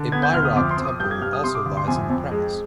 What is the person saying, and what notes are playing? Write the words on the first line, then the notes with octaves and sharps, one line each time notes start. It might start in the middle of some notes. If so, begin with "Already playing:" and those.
A Bhairab temple also lies in the premise.
Already playing: D3
B3 G#6
G6
D2 F6
D#6
F2 D6
C6
F2
D#6
G2 G6
G#6
G2 F6
D#6
C3 C6
D6
D2
C6
F2 G#5
F2
G#3